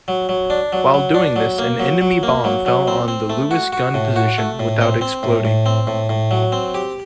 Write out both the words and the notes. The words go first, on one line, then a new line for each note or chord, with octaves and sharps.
While doing this an enemy bomb fell on the Lewis gun position without exploding.
F#3
F#3
D4
F#3
F#3
D4
F#3
A#3
F#3
F#3
A#3
F#3
F#3
C4
C4
A3
F#4
F#4
A2
F#4
A3
A2
C4
C4
A2
A2
C4
A2
A2
F#3
C4
G4